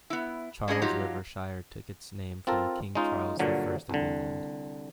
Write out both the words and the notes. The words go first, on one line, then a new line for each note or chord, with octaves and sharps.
Charles River Shire took its name from King Charles the First of England.
B3 E4
G3 C#4 D4 G#4 D#5
F3 F#3 D#4 F4 G4
C4 F4 A4 A#4
G#3 C#4 D#4 F4
G2 A#2 D3 F#3
C2 D3